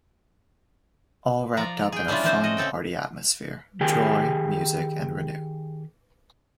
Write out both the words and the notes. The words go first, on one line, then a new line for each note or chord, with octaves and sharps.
All wrapped up in a fun party atmosphere, joy, music and renew.
F3 D5 A#5
G#4 G5
G3 C#4 D4 E4 F4
F3 A3 C4 C#4 C5
F#4 D#5
C#3 C4 A4 G5
D#3 G4 G#4 G5 G#5